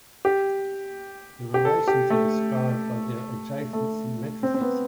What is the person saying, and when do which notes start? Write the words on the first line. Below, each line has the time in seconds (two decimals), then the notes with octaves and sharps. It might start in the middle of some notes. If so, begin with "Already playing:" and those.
The relations are described by their adjacency matrices.
0.25 G4
1.54 G4
1.65 A4
1.88 G4
2.10 A3
3.73 A3
4.43 C4
4.54 C4
4.61 B3